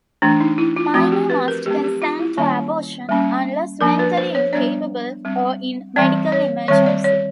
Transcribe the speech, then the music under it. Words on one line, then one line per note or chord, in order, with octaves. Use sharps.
Minor must consent to abortion unless mentally incapable or in medical emergency.
E3 A3 D4
D#4
E4
F4
F3 A3 C4 F#4
G4
B4
A#4
F#3 A3 C4 G4
G4
F4
E4
D#3 G3 A#3 C#4
G3 A#3 C#4
F3 A#3 D4 A#4
B4
C5
C#5
G3 B3 D4 D5
G3 C4
E3 G3 C4 D5
C#5
D#3 G3 C4 C#5
D5
C#5